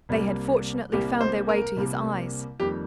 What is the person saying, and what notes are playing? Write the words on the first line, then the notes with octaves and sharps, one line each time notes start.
They had fortunately found their way to his eyes.
C2 C3 G3 A#3
C2 C3 G3 A#3 G4
C5
A#4
C2 C3 G3 A#3
F2 D#3 G3 A#3 G4